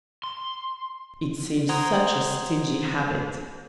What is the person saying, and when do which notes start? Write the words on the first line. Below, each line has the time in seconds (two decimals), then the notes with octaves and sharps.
It seems such a stingy habit.
0.24 C6
1.69 C5 F#5 A#5 C6 D#6 G#6